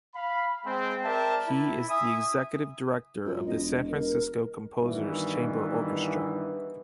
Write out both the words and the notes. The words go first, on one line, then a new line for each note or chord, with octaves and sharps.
He is the Executive Director of the San Francisco Composers Chamber Orchestra.
F5 B5
G#3 C4
A#4 D5 E5 G5 A5
E4
E5 G#5 D#6
F#2 F4
E1 D#5
A#4
G2 B2 D#3 E3